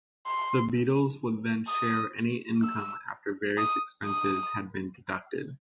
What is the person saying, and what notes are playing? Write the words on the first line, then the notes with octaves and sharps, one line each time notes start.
The Beatles would then share any income after various expenses had been deducted.
C6
D#6
E6
D#6
D#6